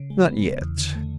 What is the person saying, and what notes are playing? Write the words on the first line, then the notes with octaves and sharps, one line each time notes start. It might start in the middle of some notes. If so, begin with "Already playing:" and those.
"Not yet."
Already playing: C#3
G#3
B3
C#3
E2
D3
A3